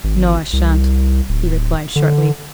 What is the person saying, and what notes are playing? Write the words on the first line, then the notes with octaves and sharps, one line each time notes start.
'No, I shan't,' he replied, shortly.
G#1
C2
D1
D3